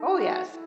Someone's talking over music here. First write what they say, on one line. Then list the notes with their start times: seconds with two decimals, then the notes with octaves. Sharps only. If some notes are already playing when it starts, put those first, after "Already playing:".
Oh, yes.
Already playing: D#4 A4 D#5 A5
0.16 F#4
0.48 E4 A4 D#5